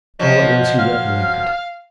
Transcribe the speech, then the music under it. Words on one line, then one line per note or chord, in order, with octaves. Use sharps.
All at once he recollected.
F3 F#3 D#5
F5 F6